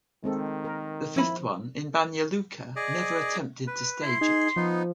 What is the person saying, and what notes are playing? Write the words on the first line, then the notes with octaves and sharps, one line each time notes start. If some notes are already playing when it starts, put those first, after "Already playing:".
The fifth one, in Banja Luka, never attempted to stage it.
D#3 G#3 C4 A4
A#4
F3 E4 B5
G#4 D5 D#5
B4
E4 C6
D#4 G#4
F3 B3 D#4